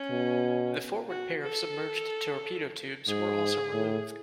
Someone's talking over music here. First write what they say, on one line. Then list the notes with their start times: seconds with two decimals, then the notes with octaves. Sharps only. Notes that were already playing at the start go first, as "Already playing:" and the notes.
The forward pair of submerged torpedo tubes were also removed.
Already playing: C#4
0.10 B2
1.09 F#4
1.42 A4
3.07 G#2 G#4
3.74 A2